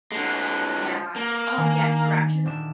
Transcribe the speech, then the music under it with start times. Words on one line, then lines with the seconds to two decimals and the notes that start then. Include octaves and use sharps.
Yeah. Oh, yes, directions?
0.12 D3 G#3
1.16 A#3
1.57 D#3 D4 G#5
2.45 D#1 D4 E7